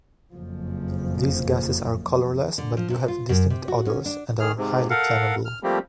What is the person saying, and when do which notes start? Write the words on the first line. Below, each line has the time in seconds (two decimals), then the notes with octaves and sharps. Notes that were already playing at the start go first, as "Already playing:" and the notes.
These gases are colourless, but do have distinct odours, and are highly flammable.
0.33 F#1 F2 F3
2.58 D3
2.77 F3
2.90 C3
3.08 F4
3.29 F#2
3.50 C3
3.68 F#4
3.86 C#4
4.06 D4
4.39 D#3 G#4 F6
4.57 G#2 C3
4.90 A4 A#4 F5 F#5
5.45 F6
5.63 F3 G3 A3 A#3 C4 G4